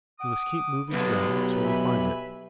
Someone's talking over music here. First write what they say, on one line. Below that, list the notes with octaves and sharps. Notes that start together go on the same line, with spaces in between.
We must keep moving around until we find it.
F#5 D6 D#6
B1 E2 B2 D3 G#3 G4 B4
E5 G#5 B5